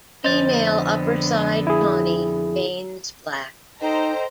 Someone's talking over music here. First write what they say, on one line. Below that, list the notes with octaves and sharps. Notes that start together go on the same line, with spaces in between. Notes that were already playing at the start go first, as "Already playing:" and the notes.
Female upperside tawny, veins black.
F2 D3 B3 C5 D#5 A6
E4 G#4
D#4 A4 C5 D#5 G5 A#5